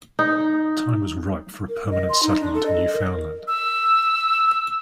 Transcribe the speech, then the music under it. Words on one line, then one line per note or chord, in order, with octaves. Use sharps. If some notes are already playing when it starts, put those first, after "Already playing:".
Time was ripe for a permanent settlement in Newfoundland.
D#4
A#4
D#5
C6
D#4
D4
A4
D#5
A#4
E6